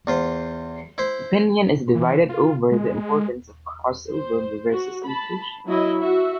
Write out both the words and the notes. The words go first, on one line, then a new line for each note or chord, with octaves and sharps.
Opinion is divided over the importance of crossover versus mutation.
E2 F4 C5
E4 C5
E3
F4
G#3
C5
F#4
A5 B5
F#3 E4 D#5
F#4 E5